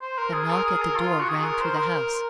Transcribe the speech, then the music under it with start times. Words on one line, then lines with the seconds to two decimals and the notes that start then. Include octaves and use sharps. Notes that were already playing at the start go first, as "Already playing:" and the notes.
A knock at the door rang through the house.
0.01 C5
0.17 A#4
0.33 G#4
0.50 A#4
0.65 G#4
0.82 A#4
0.96 F4
1.20 F#4
1.28 G#4
1.44 A#4
1.61 C5
1.75 A#4